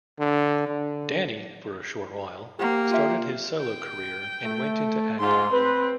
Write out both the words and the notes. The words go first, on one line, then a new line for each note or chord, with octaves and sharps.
Danny, for a short while, started his solo career and went into acting.
D3
D3
A#3 G4 C5 F#5
F4 E5
G5
A3
G#2 F4 C6
C4 B4